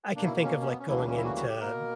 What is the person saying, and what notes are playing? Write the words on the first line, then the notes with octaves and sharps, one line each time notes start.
I can think of, like, going into
B2 A#3 D4
E4
C#4
C#4
B3
C#4
D2 C#3 E3 G3 A#3 E4
D4
C#4
E4
F#4
F#4
G4
B2 A#3 A#4